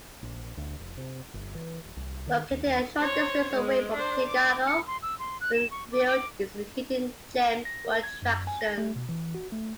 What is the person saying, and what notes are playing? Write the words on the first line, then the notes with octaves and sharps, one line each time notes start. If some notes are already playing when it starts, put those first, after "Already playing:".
Located a short distance away from Chicago, Winfield is a hidden gem for attractions.
A#1
D2
F1
C3
G1
E3
D#1
C2
D#3
D#2
D#2
C5 C#5
G#3
D4 C5
D6
C#7
C6
E6
C6
F#6
E7
C#6
D6
D6
A#6
A#4
G#6
F#2
G#5
A#6
A3
B2
E3
F#4
A3